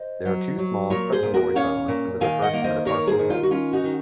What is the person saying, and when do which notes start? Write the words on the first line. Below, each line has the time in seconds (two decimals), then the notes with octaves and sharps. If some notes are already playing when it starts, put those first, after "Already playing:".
There are two small sesamoid bones under the first metatarsal head.
Already playing: C5 D#5
0.25 F#3
0.58 F#3
0.90 A#2 A#4 C#5
1.12 G#4 C5
1.23 A#2
1.34 F#4 A#4
1.55 C#4 C#5 F5
1.88 A#2
2.21 D#3 F5 G#5
2.42 D#5 F#5
2.53 A#3
2.64 C5 D#5
2.85 D#3 A#4 C#5
3.07 G#4 C5
3.19 D#3
3.30 F4
3.43 F#4
3.51 C#4 F4
3.73 D#4 F#4
3.84 D#3